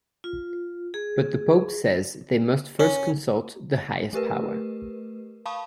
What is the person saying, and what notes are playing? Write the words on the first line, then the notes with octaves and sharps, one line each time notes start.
But the Pope says they must first consult the highest power.
F4
G#4
C#4
A3 G4 A#4 B4
F5 A5 B5 C#6 D#6